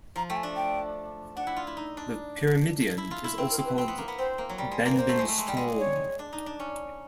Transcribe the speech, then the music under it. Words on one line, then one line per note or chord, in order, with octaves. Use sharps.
The pyramidion is also called 'Benben stone'.
F3 A#5
A3 G5
G#5
D4
G5
D4 F#5
E4
F4
E4
D#4
D4
E4
F4
E4
C4 B4
A#4
C4
B4
C4
B3
A#3
B3
C4 C5
A#3
F#3
G3
G#3
A#3
B4
A#3 C5
A3
G#3
A3
G#3
G3
G#3
C#5
D4
D#4
D4
C#4